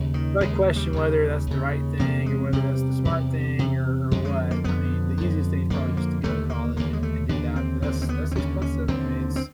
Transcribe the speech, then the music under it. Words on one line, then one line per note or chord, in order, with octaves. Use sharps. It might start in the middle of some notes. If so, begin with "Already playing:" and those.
I question whether that's the right thing or whether that's the smart thing or or what, I mean, the easiest thing is probably just to go to college and and do that, but that's that's expensive, I mean, it's
Already playing: D#2 C#3
D#3
D#2 C#3 G#3
G3
D#2 C#3
D#2 C#3
E2 C3 A#3
G#3
E2 C3 G3
E2 C3
E2 C3
F2 D3 G#3
G#3
A#3
F2 D3 B3
F2 D3
F2 D3 A#3
A#3
D#2 D3 A3
A#3
D#2 D3 A#3
G#3
A3
D#2 D3 D4
C4
D#2 D3 C4
C4
B3
C4
D#2 D3 C#4
C#4
D#2 D3 C4
C4